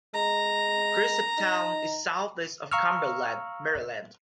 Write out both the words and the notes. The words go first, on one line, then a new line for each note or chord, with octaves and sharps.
Cresaptown is southwest of Cumberland, Maryland.
G#3 A#5
D#4
F5 A#5 C#6 E6 F6